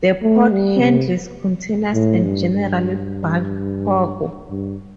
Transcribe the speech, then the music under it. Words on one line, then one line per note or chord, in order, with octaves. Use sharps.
The port handles containers and general bulk cargo.
A3
G3
C3
A2
G2
G2
G2